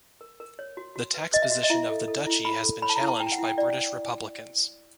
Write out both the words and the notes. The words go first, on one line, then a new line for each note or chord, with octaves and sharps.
The tax position of the duchy has been challenged by British republicans.
A#4
A#4
C#5
F#4
F#4
B4
B4 D#5
E5
F#4 D#5
D#5
E4 E5
A4
A4
E4
E4 B5
A4
C#5 B5
A5
A#5
E4
A5
E4 G5
F#5
E4
G5
E4 D5